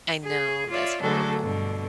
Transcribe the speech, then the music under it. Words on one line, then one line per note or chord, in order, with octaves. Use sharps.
I know, that's horrible.
G#4
F4 C#5 D5 E5 F5
D3 F#3 G#3 A3 D4 A4
G2 B2 D3